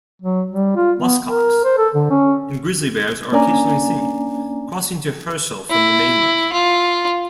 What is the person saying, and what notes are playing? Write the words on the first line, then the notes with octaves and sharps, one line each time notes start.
Muskox, and grizzly bears are occasionally seen, crossing to Herschel from the mainland.
F#3
G3
F4
B3
A#4
C5
A4
D3
C#4
A#3 C#4 D4 D5 G#5 A#5
E4
F4